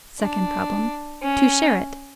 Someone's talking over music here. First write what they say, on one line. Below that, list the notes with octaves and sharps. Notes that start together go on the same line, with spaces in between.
Second problem: To share it.
D4
C#4